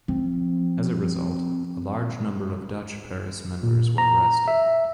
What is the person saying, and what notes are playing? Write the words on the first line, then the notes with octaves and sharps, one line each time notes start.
As a result, a large number of Dutch-Paris members were arrested.
F3 C4
A#2
A#5
E5